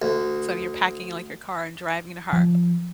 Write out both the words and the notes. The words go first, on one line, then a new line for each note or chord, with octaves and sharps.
So you're packing, like, your car and driving to her.
D2
F3